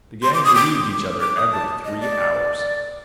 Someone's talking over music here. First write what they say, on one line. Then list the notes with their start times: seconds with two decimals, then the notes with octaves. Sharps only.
The gangs relieved each other every three hours.
0.23 C6
0.34 D6
0.45 D#6
0.55 D6
1.20 D6
1.36 D#6
1.52 A5
1.85 D#5
2.01 D5